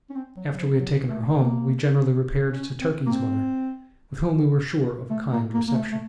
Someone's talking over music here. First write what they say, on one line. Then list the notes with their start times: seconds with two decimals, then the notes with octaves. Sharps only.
After we had taken her home we generally repaired to Turkey's mother, with whom we were sure of a kind reception.
0.10 C#4
0.16 C4
0.37 F#3
0.53 F#3
0.58 F3
0.79 F#3
1.09 A3
1.38 A#3
2.52 C#4
2.81 C4
3.06 A#3
3.09 C4
5.10 A3
5.33 A#3
5.54 A#3
5.68 A#3
5.75 A3
5.92 A3